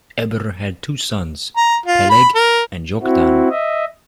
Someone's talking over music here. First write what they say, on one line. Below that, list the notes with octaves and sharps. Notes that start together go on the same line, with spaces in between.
Eber had two sons: Peleg and Joktan.
A#5
F4
B5
A#4
C4 E4 F#4
D#5 E5